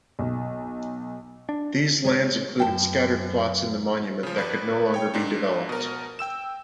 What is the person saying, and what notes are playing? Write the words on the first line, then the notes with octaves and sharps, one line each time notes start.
These lands included scattered plots in the Monument that could no longer be developed.
B1
D4
G#3 C#5
F#2 G5 A5
C#3 F3
G#1 B4 D5
C#5 G5
G#2 D4
B2 A#4
G5 E6 E7